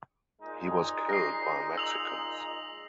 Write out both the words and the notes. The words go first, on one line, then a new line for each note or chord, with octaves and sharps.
He was killed by Mexicans.
A#2 G#3 D#4
A#6 C7
E6 F7 F#7